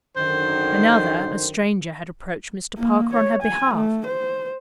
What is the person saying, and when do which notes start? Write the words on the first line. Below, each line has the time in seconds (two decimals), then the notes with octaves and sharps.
Another, a stranger had approached Mr. Parker on her behalf.
0.17 F#2 D3 D#3 C5
2.77 A#3
3.13 C#5
3.43 G#5
3.74 A3
4.06 C5